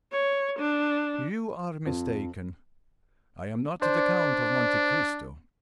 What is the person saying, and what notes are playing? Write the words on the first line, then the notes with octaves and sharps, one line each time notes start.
"You are mistaken--I am not the Count of Monte Cristo."
C#5
D4
F2
D4 C5 D5